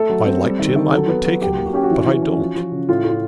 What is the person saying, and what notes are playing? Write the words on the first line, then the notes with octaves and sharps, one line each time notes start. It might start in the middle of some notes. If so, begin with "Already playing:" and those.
If I liked him, I would take him, but I don't.
Already playing: A3 A4
F#3
C4
G3
D#3
D#3
F#3 A4
B3
F#3
F#3 G4
A#3
F#4
C#4 G4
F#4
E3
E3
C#4
F3
F3
C#3
A2 F4
A2 F4